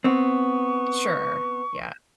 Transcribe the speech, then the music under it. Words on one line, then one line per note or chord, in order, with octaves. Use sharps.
Sure. Yeah.
B3 C4 C#6